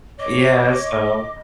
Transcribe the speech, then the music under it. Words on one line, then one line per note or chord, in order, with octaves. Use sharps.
Yeah, so
C#5 D#5 D6